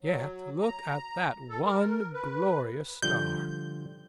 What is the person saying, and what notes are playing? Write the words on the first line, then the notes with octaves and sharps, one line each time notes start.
Yet look at that one glorious star!
F#3
A#5
A4
A#4
B4
D3 F3 G3 G6